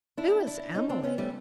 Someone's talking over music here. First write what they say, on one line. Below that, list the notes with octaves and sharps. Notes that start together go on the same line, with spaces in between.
"Who is Emily?"
D4 E4
D4 E4
C#4 D#4
C4 D4
B3 C#4
G3 A3